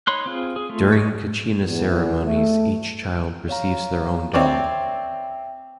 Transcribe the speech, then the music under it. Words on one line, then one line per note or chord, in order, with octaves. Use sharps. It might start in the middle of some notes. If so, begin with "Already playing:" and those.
During Kachina ceremonies, each child receives their own doll.
D#4 C#5 B5 C6 F#6
C4 F4 G#4
G#4
A3 F4
C#5 D#5
E2
A3
C#5 F5 A#5
C4 C#5 D5 E5 G5